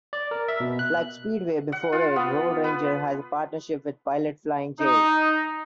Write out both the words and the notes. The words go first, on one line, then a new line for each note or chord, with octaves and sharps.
Like Speedway before it, Road Ranger has a partnership with Pilot Flying J.
D5
A#4
E5
B2
F#6
F#5
F4
B3
B4
D#4